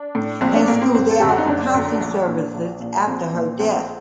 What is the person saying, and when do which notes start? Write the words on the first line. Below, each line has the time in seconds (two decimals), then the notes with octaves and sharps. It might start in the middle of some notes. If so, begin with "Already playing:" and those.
In school they offered counseling services after her death.
Already playing: D4
0.15 A2
0.41 A#1 C4
0.54 D4
0.68 A2 A#3
0.82 C4
0.94 F#1 C4
1.11 A4
1.20 F#2 D3 G4
1.29 F#4
1.38 D#4
1.47 F#1 D4
1.74 F#2 D3
2.01 A#1
2.27 A#2
2.54 A#1
2.80 A#2
3.07 A#1 C4
3.33 A#2
3.60 A#1 C4